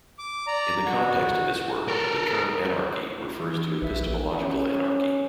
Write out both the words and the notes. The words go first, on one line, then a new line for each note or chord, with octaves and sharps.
In the context of this work, the term anarchy refers to epistemological anarchy.
D6
D5 A#5
F#4
A4 A#4
E3
A#1 B4 E5
C#4